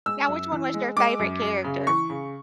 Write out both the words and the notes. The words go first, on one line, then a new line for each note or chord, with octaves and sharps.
Now which one was your favorite character?
G#3 E6
F#2
E3
G#3
G#3 D6
F#2
F#2
C#3
E3 C#6
C#3